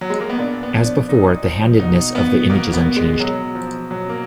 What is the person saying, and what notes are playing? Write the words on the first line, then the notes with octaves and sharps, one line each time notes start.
As before, the handedness of the image is unchanged.
F#3
G#3
A#3
B3
A#2 D4
B3
F3
D4
A#2 D#4
F3
B2 D#4
B3
B2 A#3
B3
G#3
B2 F#3
F3
B2 F#3
A#3